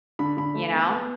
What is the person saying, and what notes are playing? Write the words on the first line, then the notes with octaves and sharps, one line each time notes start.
You know?
D3 B5
D3 B5
A3
B3
B3